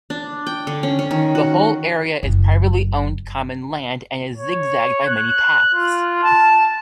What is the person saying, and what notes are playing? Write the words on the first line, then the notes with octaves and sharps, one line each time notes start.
The whole area is privately owned common land and is zigzagged by many paths.
D4
G5
D3
C#4
C#4
D#3
F#4
F#1 F#3
C#5
F#6
F4
A5